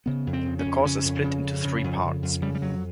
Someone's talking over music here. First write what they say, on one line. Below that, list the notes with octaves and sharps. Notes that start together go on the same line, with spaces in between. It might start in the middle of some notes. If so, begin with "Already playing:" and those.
The course is split into three parts.
C#3 B3
F2
C4
C#3
C#4
F2
C#3 C#4
F2
C#3
F2
C#3
F2
C#3
F2
C#3 G3
G3
F2 F#3